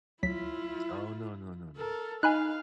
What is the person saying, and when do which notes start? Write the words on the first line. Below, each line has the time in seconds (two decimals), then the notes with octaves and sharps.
Oh, no, no, no, no.
0.23 D2 F#3 E4 F4 B6
1.77 A4 A#4
2.23 D#4 F5 G#5 B5 F#6